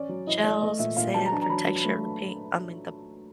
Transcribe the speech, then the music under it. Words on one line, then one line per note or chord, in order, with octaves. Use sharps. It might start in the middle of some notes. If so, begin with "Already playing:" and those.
shells, sand for texture of the paint I mean, the
Already playing: C#4 D5
F#3
E4 D#5
A3 D5
A3 D#5
A#2 E5
A#2 F5
F#3 A5
A#5
D4 A5
A#5
F#3 B5
F#3
A3